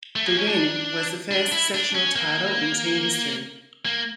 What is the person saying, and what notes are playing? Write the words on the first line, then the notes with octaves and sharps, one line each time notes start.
The win was the first sectional title in team history.
A3
A#3
C#4
D4
D4
E4
D4
C#4
A#3
A#3